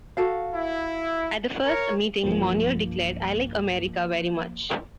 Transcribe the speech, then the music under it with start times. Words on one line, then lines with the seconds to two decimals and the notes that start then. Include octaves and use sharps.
At that first meeting Monnier declared, "I like America very much".
0.17 F#4 A4 F5
0.54 E4
1.65 A#4 C#5
2.23 B1 G2 F3 A#3